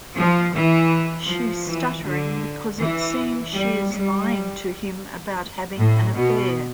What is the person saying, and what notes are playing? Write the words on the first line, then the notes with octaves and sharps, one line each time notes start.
She's "stuttering" because it seems she is lying to him about having an affair.
F3
E3
F3
E3
D3
E3
G3
G3
A2
B2